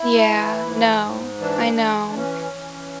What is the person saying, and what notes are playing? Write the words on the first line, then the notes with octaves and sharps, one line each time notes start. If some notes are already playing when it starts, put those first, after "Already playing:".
Yeah. No. I know.
Already playing: E4
E3
G#2
G#2
E3 D4
E3
D4
E3 C#4
E3